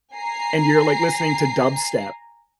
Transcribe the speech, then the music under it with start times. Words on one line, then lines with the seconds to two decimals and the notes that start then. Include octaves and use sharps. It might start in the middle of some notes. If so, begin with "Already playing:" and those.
and you're, like, listening to dubstep
0.15 G#5 A#5 C7